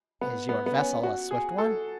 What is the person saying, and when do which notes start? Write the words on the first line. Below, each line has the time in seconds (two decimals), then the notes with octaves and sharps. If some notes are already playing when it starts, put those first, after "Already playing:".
"Is your vessel a swift one?"
0.21 B3
0.49 B3
0.66 B3
0.76 C#4
1.03 F#4
1.31 G#4
1.58 A4